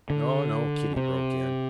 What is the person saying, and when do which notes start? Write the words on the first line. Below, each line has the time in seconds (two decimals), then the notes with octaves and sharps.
"No, no," Kitty broke in.
0.10 D3
0.96 C3